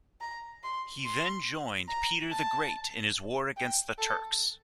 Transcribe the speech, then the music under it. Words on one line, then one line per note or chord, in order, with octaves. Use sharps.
He then joined Peter the Great in his war against the Turks.
A#5
C6
C6
A#5
A5
G5
A4